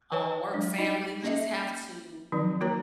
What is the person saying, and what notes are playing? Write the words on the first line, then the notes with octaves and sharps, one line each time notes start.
a work family, just have to
E3 B4 C#5 G#5 A5
F#3 G#3 D4
D#4 F#4 D#5
A#3 C#4 D#5 E5
D#3 F3 F#3 C4 D#4
A#3 F#4 A#4 C#5 A#5